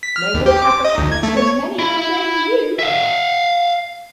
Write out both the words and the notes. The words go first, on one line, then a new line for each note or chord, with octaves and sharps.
No more Kappa-kappas for many a long day for you!
B6
F6
D#2
G4
D6
D#5
D2
G#6
A3
C#5
E4 B5
E5 F5